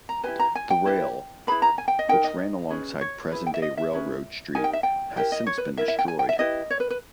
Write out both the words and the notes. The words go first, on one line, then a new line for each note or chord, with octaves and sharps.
The rail, which ran alongside present-day Railroad Street, has since been destroyed.
A#5
E4 G4 B4 G#5
A#5
G#5
G5
E4 G4 B4
E4 G#4 B4 B5
A#5
G#5
G5
D#5
D#4 A#4 G5
D#5
C#4 G#4 B4
C#5
E4 G#4 B4
G5
E5
D#5
E5
C#4 G#4 B4
D#4 G4 A#4 G#5
G5
E5
G5
E4 G4 A#4 G5
D#5
C#5
B4
E4 A#4 E5
E5
G5
G#5
G5
E5
E4 G4 B4 D#5
C#5
B4
B4